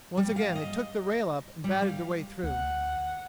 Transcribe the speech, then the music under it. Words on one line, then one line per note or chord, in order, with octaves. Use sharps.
Once again they took the rail up and battered their way through.
G3
F5
D#5
G3
F5
D2 F#5